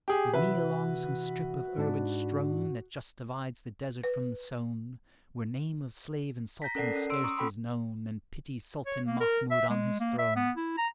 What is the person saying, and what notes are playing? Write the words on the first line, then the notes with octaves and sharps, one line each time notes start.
With me along some Strip of Herbage strown That just divides the desert from the sown, Where name of Slave and Sultan scarce is known, And pity Sultan Mahmud on his Throne.
G4 G#4
C3 E3 F#4 B4 E5
G#2 D4 D5
B4
A#5 G6 A#6 B6
C#4 A4 A#4 D5 F#5 C7
C#4
C6 E6 D7
A#5 C#6 D#6
C#4 A4 G5 B5 C6
C#5
A#3
A#4
E5
G#3
A#3
E5
B3
E4
A#5